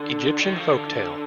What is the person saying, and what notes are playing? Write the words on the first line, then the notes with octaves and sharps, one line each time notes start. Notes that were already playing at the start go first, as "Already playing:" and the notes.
Egyptian folk tale.
Already playing: D3
D#3
F3
D#3
D3